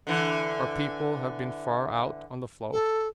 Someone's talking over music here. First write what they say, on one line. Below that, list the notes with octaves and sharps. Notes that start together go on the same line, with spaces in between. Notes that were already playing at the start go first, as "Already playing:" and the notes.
Our people have been far out on the floe.
D3 E3
A4